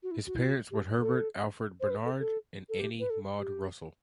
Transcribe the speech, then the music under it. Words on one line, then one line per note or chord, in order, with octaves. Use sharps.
His parents were Herbert Alfred Barnard and Annie Maude Russell.
F#4
E4
F#4
E4
F#4
G4
A4
C5
B4
A4
A4
A4
G4
B4
A4
G4